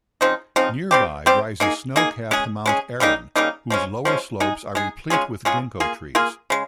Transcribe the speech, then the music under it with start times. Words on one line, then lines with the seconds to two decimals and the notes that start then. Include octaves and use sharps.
Nearby rises snow-capped Mount Aran, whose lower slopes are replete with ginkgo trees.
0.21 C#3 F3 C4 D#4
0.56 C#3 F3 C4 D#4
0.91 G3 C4 G4
1.26 G3 C4 G4
1.60 A#3 D#4 G#4
1.96 A#3 D#4 G#4
2.31 G#3 C#4 G#4
2.66 G#3 C#4 G#4
3.00 C#3 G3 A#3 D#4
3.36 C#3 G3 A#3 D#4
3.70 F3 G#3 C#4
4.05 F3 G#3 C#4
4.40 G#3 D#4 G#4
4.75 G#3 D#4 G#4
5.10 G#3 C#4 F4 G#4
5.45 G#3 C#4 F4 G#4
5.80 A#3 F4 G#4
6.15 A#3 F4 G#4
6.50 C#3 G#3